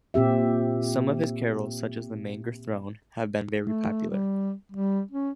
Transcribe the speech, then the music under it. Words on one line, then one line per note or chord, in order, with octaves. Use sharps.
Some of his carols, such as "The Manger Throne", have been very popular.
A#2 C4 G4 E5
A3
G3
G3
C#4